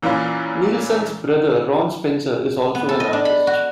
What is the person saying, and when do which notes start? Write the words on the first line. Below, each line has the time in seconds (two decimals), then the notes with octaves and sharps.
Nielsen's brother, Ron Spencer, is also an artist.
0.02 A#2 E3 A#3 C#4 F4 B4
2.75 B3
2.89 A4
3.00 D#5
3.13 D4
3.25 B5
3.47 F#4